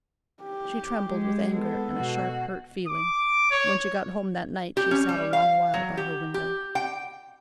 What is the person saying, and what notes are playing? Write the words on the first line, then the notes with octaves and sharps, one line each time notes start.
She trembled with anger and a sharp, hurt feeling. When she got home that night she sat a long while by her window.
G4
G#3
B3 A4
B2 F#4
D6
C#5
G4
C#4
G3
F5
F#3
G4
G4
G5